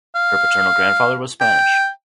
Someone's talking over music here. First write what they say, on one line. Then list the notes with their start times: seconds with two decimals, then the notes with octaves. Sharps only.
Her paternal grandfather was Spanish.
0.15 F5
1.41 G5